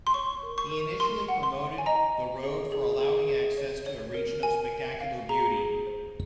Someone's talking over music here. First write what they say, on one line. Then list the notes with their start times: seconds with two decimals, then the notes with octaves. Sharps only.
He initially promoted the road for allowing access to a region of spectacular beauty.
0.07 C6
0.14 C#5 C#6
0.43 A#4
0.58 C#6
0.71 A#4
1.00 A#4 C6
1.28 F#5
1.43 C6
1.57 F#5
1.78 G#5
1.86 D#5 A#5
2.15 D#5
2.43 G#4
2.72 G#4
3.01 G#4
3.29 G#4
3.58 C#5
3.86 C#5
4.14 A#4
4.43 A#4 G#5
4.72 A#4
5.01 F5
5.29 G#4 A#5
5.58 G#4
5.87 C5